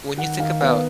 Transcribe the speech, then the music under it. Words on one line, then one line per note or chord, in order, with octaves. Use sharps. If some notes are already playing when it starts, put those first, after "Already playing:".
when you think about
D#3 F#5
D#3 F5
B3 F5